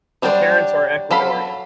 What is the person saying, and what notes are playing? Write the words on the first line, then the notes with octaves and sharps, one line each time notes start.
Her parents are Ecuadorian.
F#3 G3 D4 C5 D5
F#3 A4 F5 B5